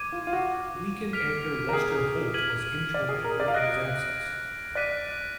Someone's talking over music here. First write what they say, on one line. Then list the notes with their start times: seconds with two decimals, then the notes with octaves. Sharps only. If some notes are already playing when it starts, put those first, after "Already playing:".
Weekend anchor Lester Holt was interim anchor in his absence.
Already playing: D6 G#6 D#7
0.12 F4
0.27 F4
0.33 F#4
1.13 F6 B6 D7 F7
1.69 A#4
1.73 G#4
2.34 F6 G#6 B6 D#7 F#7
2.94 D5
3.09 G#4
3.24 A#4
3.40 D5
3.48 F5
3.54 D#5 F#6 A#6 D7
4.75 D5 F#6 B6 D#7